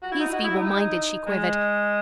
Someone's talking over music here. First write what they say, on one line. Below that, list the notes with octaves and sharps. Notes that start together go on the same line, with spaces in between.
"He's feeble-minded," she quivered.
F#4
E4
D#4
F#4
E4
D#4
G#3